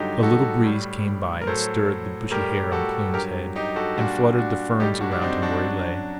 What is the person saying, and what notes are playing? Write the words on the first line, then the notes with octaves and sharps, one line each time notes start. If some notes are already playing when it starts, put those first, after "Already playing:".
A little breeze came by and stirred the bushy hair on Kloon's head and fluttered the ferns around him where he lay.
Already playing: G2 D3 F#3 D#4 G4
F#4 A4
A2 G3
A#4
A2 F#3 A4 C5
A2 G3 G4 A#4
F#4 A4
G2 F#3 G4 A#4
D#4 G4
F#4 A4
A#2 G3 D4 F#4
D4 F#4
A2 G3 D#4 G4
D4 F#4
D4
C4 D#4
D4 F#4
F#2 F#3